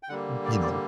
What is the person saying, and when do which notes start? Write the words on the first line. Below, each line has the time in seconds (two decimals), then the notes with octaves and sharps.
n you know
0.03 G5
0.09 D3 G3 A#3 F#5
0.45 D5
0.63 D5